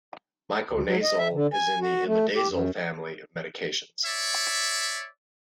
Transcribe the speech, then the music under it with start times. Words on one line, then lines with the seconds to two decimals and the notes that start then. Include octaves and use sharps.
Miconazole is in the imidazole family of medications.
0.71 D2
0.86 F#3
1.03 D#5
1.18 E5
1.33 D3
1.53 G#5
1.81 F#4
2.06 A3
2.35 G4
2.50 F#2
4.05 C#5 D5 E5